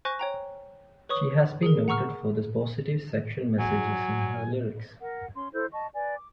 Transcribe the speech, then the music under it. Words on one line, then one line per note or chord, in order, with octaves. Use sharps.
She has been noted for the positive sexual messages in her lyrics.
C5 G#5 C#6 F#6 A#6
C#5 G5 A#5
B4 C#5 C#6 D#6
G#4 A#4
F#5 A#5 C#6 E6 F6
F#3 G#5
A#4 F#5
C#4 C6
E4 A4 C5 G6
D#5 A5 C#6
B4 D5 G#5
D6